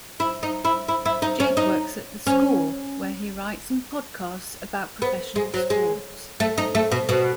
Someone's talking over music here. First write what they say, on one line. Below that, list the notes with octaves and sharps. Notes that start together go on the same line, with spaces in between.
Jake works at The Score where he writes and podcasts about professional sports.
E4
D#4
E4
E4
E4
D#4
C#4
D#4
C#4
B3
G#3
F#3
G#3
A3
D#4
A3
B2
B2